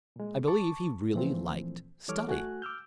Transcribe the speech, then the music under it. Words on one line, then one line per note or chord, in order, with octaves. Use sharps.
I believe he really liked study.
A#2 G#3
A5 C#6 D6
A#2 E3 F3 A3 C4
E3 G3 A4 C#5 D6 F6
A3 F#4 G#5 F#6
D6 E6 F6 G6